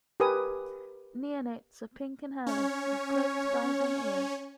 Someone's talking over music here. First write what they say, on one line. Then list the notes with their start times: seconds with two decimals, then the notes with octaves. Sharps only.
Neonates are pink and hairless, with closed eyes and ears.
0.20 G4 A#4 B4 G#5 D#6
2.47 C#4 C#5